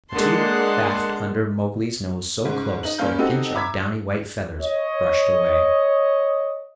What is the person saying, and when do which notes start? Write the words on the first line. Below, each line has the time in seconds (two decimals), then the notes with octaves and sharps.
The two baffed under Mowgli's nose so close that a pinch of downy white feathers brushed away.
0.12 D3 G#3 A#3 F#5 A5 C6
2.45 G#2 C#3
2.83 D#4 F#7
2.99 G2 A#3 C#4 D4 F5 G6
3.19 C4 D#4 F#4 G4 A4
3.54 E5 A#5 D6 E6 G#6 B6
4.59 C#5 D#5